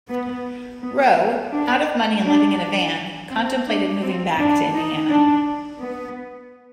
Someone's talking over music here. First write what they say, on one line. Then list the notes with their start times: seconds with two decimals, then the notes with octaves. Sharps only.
Roe, out of money and living in a van, contemplated moving back to Indiana.
0.09 B3
0.81 B3
1.51 D4
2.23 D4
3.30 C4
3.66 D4
4.02 C4
4.37 D4
4.73 D#4
5.09 D4
5.80 B3